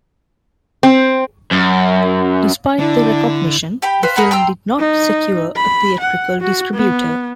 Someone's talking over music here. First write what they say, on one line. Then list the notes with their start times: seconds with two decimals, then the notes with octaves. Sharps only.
Despite the recognition, the film did not secure a theatrical distributor.
0.83 C4
1.52 F#2
2.79 D3 D4 E4
3.82 G4 G5 B5
4.03 B4 C5 F5
4.16 G#4 A#4 F#5 B5
4.31 G5 A#5 C6 E6
4.79 D#4
5.56 B5
6.00 F#5
6.41 F#4
6.74 B3